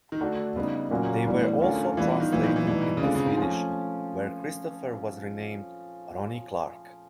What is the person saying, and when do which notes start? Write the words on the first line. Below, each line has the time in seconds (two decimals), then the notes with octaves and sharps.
They were also translated into Swedish - where Christopher was renamed "Ronnie Clark".
0.12 D#3
0.20 D3 A3 D4 F#4 A4
0.56 C#3 G3 B3 D#4
0.90 A#2 F#3 A#3 C#4 F#4
1.26 A2 E3 G3 B3 D4
1.61 D3 A3 C#4 F4 A#4
1.97 E3 G3 B3 D4 F4
2.09 E3
2.20 D#3
2.32 A#2 E3 F#3 B3
2.44 D#3
2.56 E3
2.67 B2 E3 G3 B3 D#4
2.97 C#3
3.02 D3 G#3 C4 F4
3.15 C#3
3.26 G#2
3.38 F3 A3 C#4